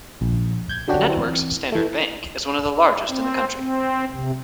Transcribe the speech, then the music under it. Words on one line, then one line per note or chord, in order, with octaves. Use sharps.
The network's Standard Bank is one of the largest in the country.
A#1
G6 G#6
D3 F#3 C#4 D4 F#4 G4
E3 C4
E3 A3
C4
C4
C3